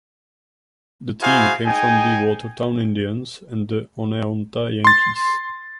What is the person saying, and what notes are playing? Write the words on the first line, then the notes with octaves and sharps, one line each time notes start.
The team came from the Watertown Indians and the Oneonta Yankees.
E4 F#4 G#4 C5 F5 G#5
D#4 G#4 G5 G#5
C6 A6